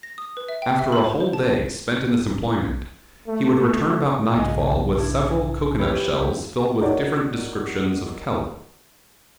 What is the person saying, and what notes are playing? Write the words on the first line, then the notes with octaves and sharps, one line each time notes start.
After a whole day spent in this employment, he would return about nightfall with several cocoanut shells filled with different descriptions of kelp.
A#6
D#6
B4
E5
G5
E5
B5
C5
C5
A5
A3
B1 G#2 C#3 D#5 F5 G#5
D4 E4
E4 G4 B4 C#5
D#4 F#4 A#4 C#5 D5